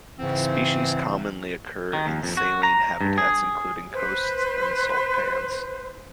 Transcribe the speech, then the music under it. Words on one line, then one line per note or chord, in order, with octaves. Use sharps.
The species commonly occur in saline habitats, including coasts and salt pans.
G#2 C#3 E3 C4
D#3
D#2
F2
F#4
A#5
G2
G#4
B4 C5